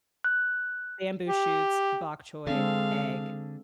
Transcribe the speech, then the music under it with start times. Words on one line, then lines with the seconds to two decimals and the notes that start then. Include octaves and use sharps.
Bamboo shoots, bok choy, egg
0.24 F#6
1.28 G4
2.47 D3 G#3 C4 D4 A4 F5